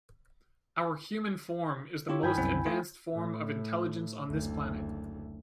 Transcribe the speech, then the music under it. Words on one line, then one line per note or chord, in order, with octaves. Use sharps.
Our human form is the most advanced form of intelligence on this planet.
E4 F4 G4 C#5
G2 D#3 G5 G#5 B5
C2 F#2 C4
A3 F4
A2
F#1 D2